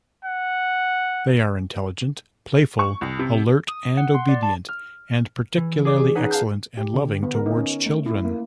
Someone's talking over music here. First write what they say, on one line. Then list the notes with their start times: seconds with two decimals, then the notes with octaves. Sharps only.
They are intelligent, playful, alert, and obedient, and particularly excellent and loving toward children.
0.25 F#5
2.79 C#6
3.01 C2
3.19 C3
3.68 D#6
3.97 F#5
4.15 C6
4.29 D5
4.43 A5
4.69 F6
5.57 E3
5.85 G#4 D5 D6
6.15 C#4 D#4 G#4 B4 F#5 G#5
6.31 F5 A5 G6
6.77 G4
6.94 D3
7.23 B3
7.35 A#4
7.46 D#4
7.57 C#4
7.86 A3
8.06 E4
8.25 A#3